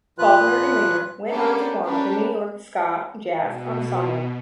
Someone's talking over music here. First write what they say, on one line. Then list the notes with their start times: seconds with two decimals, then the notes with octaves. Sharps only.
Faulkner and Reiter went on to form the New York Ska Jazz Ensemble.
0.18 A#2 F3 F4 B4 F#6
1.29 A#3 B3 C#4 D4 G4 A4
1.84 C#4 D4 G4 A#4 B4
3.40 B2